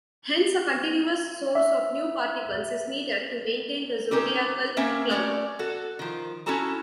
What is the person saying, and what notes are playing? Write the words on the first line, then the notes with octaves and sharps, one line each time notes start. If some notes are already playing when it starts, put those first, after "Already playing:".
Hence a continuous source of new particles is needed to maintain the zodiacal cloud.
E5
C4 C#4 D#4 G4
A#3 C4 C#4 A#4 E5 G5
A3 C#4 D5
F#4 A4
D#3 F3
C#4 E4 F#4 A4 A5 A#5